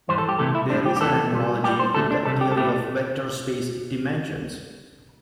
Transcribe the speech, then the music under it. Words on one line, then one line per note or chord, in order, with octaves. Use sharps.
There is an analogy with the theory of vector space dimensions.
G2 E3 G3 C5
A4
G4
C2 C3 E3 A3 A4
E4
A2 G3 D4
G4
G4
E2 C3 E3 A3 A4
C2 C3 G3
A2 G3 G4
C5
D2 D3 A3 A4
D4
C2 C3 G3 A4
G4
A4
A2 A3 G4